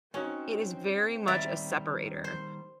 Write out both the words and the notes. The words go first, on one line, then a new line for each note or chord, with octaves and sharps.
it is very much a separator.
C4 C#4 D#4 F#4 C#5
D#3 G3 D5 E5
C5